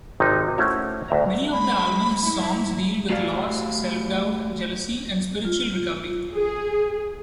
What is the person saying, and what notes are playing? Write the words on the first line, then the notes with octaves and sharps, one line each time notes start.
Many of the album's songs deal with loss, self-doubt, jealousy, and spiritual recovery.
G#1 C3 D#4
A3 C#4 E4 F#4 C5 C#5
D2 E5 A#5
G#3 B5
G#2 E4
A3 F#4 G4 D5 F5
F4
G#4